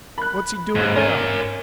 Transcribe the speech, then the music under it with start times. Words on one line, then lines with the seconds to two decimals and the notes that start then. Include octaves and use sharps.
"What's he doin' now?"
0.18 B5 F#6
0.75 D#2 G#2
0.96 C#4 A#4 G#5